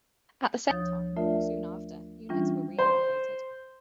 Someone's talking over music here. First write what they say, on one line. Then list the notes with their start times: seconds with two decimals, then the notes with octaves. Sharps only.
At the same time, or soon after, units were reallocated.
0.69 D2 F3 C#5 D#6 G6 A6
1.17 A3 D4 F4 A#4 D5 E5
2.29 E3 G3 C#4 D4 F4
2.78 C5